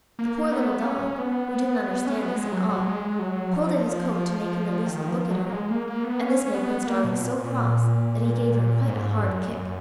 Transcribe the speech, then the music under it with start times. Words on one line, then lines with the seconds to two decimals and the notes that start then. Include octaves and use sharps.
The poor little dog, who didn't understand this at all, pulled at his coat to make him at least look at her, and this made Prince Darling so cross that he gave her quite a hard kick.
0.19 A#3
0.52 B3
0.86 C#4
1.19 B3
2.07 C#4
2.18 B3
2.36 G#3
2.52 F#3
2.69 F#3
2.86 G#3
3.19 F#3
3.53 F3
4.87 D#3
5.08 F3
5.31 F#3
5.49 A#3
5.53 G#3
5.71 A#3
5.87 A#3
6.04 B3
6.21 C#4
6.46 C#4
6.54 B3
6.87 A#3
7.04 B2
7.21 A#2
7.38 A#2
8.88 G#2
9.21 F#2
9.54 F#2